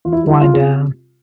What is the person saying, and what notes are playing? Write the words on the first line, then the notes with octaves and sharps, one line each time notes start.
Wind down.
E3 F4
E4
G3 E4
C3 F4
G#4
C3